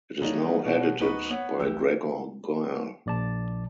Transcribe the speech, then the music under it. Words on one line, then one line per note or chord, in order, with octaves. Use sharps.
It is now edited by Gregor Gall.
D3 E3 G3 A#3 D#4 C#5
B2 G#3 C#4 F#4 E7
D1 B3 D#4 B4 C#6
B3 C#5 F#5
A1 D2 G4 E6
A#1 D5 A5